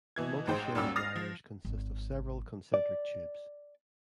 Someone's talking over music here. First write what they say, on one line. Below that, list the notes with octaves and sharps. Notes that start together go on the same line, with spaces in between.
Multi-shell dryers consist of several concentric tubes.
B2 E3 G#6
A1 G#2 G#3 C5 G5
G#1 D#2 G3 C#4 G4 E6
D#6 F6 A6 A#6 C7 F7
F3
G#1
D5